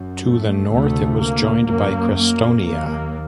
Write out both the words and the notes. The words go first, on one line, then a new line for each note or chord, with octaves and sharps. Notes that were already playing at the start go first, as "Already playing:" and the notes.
To the north it was joined by Crestonia.
Already playing: F#2
A3
D2 C3 A3
A#3
F#2 A#3
A#3
D#2 A#3